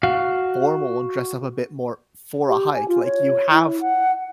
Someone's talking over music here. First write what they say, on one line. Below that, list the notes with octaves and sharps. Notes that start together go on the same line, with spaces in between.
formal and dress up a bit more for a hike. Like, you have
F#4 F5
G4
G#5
F4
C#5
E4
F#5